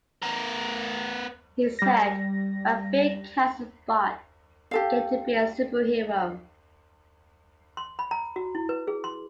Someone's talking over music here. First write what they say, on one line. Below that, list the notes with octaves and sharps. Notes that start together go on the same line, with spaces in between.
He said, about being cast as Bot, I get to be a superhero.
B3 A#4
G3 A#6
G4 A4 F5
C6
B5
A#5
F#4
E4
B4
G#4
C6